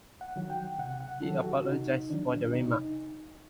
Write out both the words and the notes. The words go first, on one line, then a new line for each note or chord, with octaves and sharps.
He apologised for the remark.
F#5
D#3 F#3
G5
C3 F#5
F#5
D#3 F#3 A4
G4
F#4
C3 D#4
D#3 F#3 D4
C3 D#4